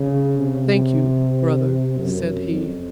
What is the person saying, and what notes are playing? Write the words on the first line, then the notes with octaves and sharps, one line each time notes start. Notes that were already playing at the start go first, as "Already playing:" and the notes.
"Thank you, brother," said he.
Already playing: C#3
C3
F#2
F2